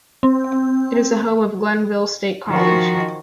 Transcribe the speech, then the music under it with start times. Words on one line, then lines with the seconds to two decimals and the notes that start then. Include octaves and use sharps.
It is the home of Glenville State College.
0.23 C4
2.48 D#3 F3 F#4